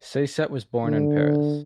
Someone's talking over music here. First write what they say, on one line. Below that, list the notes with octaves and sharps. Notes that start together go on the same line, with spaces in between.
Saiset was born in Paris.
D3